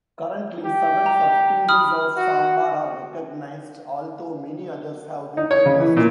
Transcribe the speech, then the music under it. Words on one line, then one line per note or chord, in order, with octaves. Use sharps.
Currently, seven subspecies of sambar are recognised, although many others have been proposed.
G4
A#5
B5 D#6 F6
F#4
D#4
C#5
C#3
E3
A#2